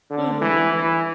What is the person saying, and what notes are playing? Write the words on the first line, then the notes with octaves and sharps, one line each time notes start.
Mhm. M
D3
E3
E3